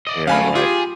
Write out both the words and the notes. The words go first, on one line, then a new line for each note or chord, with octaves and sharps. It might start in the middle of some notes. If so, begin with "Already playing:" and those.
Yeah, right.
D5 D#5
F#2 A2 F5 G#5 B5
F4 G4 G#4